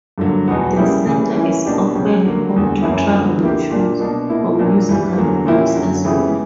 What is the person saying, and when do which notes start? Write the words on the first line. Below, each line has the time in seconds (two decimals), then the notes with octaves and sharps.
The Center is often home to traveling shows, or musical groups as well.
0.18 G2 D3 F#3 A#3
0.48 E2 B2 F#3 B3 F#4
0.77 C#3 G3 A#3 E4 G4
1.06 C#3 E3 G3
1.35 E3 A#3 C#4 E4
1.65 B2 A#3 D4 G4
1.95 C#3 F#3 C#4 G4
2.23 D3 F#3 A#3
2.53 E2 D3 A#3
2.82 F#2 E3 A#3 C#4 E4
3.12 D3 F#3 B3
3.41 D3 A#3 E4 G4
3.70 A#2 A#3 D4
4.00 B2 A#3 D4
4.29 B2 A#3 E4
4.59 A#2 F#3 A#3 D4
4.88 G2 E3 G3
5.17 E2 D3 F#3 A#3
5.46 A#2 A#3 C#4 E4 G4
5.75 F#2 D3 F#3
6.05 C#3 E3 B3 E4 G4